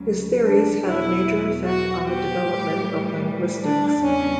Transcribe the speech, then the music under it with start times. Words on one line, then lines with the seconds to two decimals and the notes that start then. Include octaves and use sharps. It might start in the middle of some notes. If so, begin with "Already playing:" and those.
His theories had a major effect on the development of linguistics.
Already playing: D2 C#3 F#3
0.46 D4
0.86 E2 B2 F#3 E4
1.65 F#4
2.05 G4
2.44 A2 E3 G3
3.63 D4
4.03 E2 C#3 G3 C#4